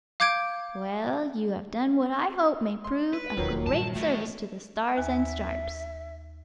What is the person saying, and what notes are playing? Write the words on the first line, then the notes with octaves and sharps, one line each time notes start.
Well, you have done what I hope may prove a great service to the Stars and Stripes.
F5 D6 G6 G#6 D7
C6
B4
E1 D#2 D#3 F3 F#3
G2 A#2 A5
E2 A2
D#2 E5 G#5